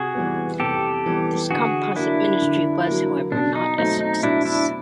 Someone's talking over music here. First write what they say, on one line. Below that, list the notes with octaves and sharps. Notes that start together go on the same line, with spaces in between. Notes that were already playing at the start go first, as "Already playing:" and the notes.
This composite ministry was, however, not a success.
Already playing: C3 F#4 G#4
E3 G3 B3
C3 G4 A4
E3 G3 B3
D3 F#4 G#4
F#3 A#3 D4 E4
D3
F#3 A#3
B2 D4
D#4
F#3 A3 C4 D#4
D#4
B2 D4 E4
D4 E4